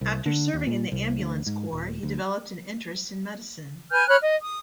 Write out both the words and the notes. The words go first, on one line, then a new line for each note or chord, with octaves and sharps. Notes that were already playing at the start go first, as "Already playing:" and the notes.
After serving in the ambulance corps, he developed an interest in medicine.
C2
D3
D#2
A#2
C2
D2
G#2
D#1
D2
B4 G#5 F6 G6
C#5 B5 F6 F#6
D#5
D#6